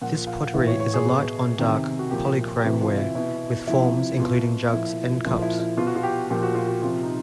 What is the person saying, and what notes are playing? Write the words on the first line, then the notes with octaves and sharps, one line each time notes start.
This pottery is a light-on-dark polychrome ware, with forms including jugs and cups.
A#2 F3 F#5
F5
A2 E3
C#5
C#5
G#4
B2
C3 D#3
F#4
A#2 F3 G4
G4
C3 E3 F#4
F4
E4
B2 E4
C3 F3 E4
B2 F4
A#2 F3 E4
A#2 F3 E4
E4
E4
B2 F4
F#4
F4
G4
A#2 F3 G4
F#4
F4
F#4
C3 F3 F4
D#4